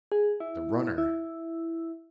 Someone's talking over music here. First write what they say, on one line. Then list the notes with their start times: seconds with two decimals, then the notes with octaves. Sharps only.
The Runner?...
0.12 G#4
0.40 E4
0.98 E4